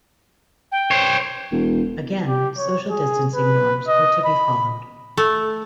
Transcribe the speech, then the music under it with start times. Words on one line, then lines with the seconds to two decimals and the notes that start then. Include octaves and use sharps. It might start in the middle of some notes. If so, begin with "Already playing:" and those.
Again social distancing norms were to be followed.
0.72 G5
0.91 C5 C#5
1.51 E1
2.26 G4
2.58 C#5
2.90 G#4
3.34 B4
3.88 D#5
4.25 B5
5.17 A3